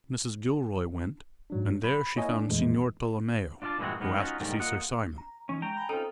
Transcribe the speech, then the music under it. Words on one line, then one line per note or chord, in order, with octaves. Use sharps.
Mrs. Gilroy went, and there she found Signor Tolomeo, who asked to see Sir Simon.
G#2 F#3 D4
B5
A#3 E4 C#5 D#5 G#5
B3 D4
F2 A#2 E3 G#3 A3
D4 F4 D5 F5 A5
G2 A#2 E3 G#3 C4 F#4
E2 G#2 D#3 A#3 B3
B3 C#4 D#4 F4 F#4
G#2 D3 D#3 G3 A#3
A#3 F4 D#5 F#5
A#5
E3 F3 C#4 D#4
G#3 G5 A#5
G#5 A5 B5
C4 C#4 D#4 F4 A4 C5 G5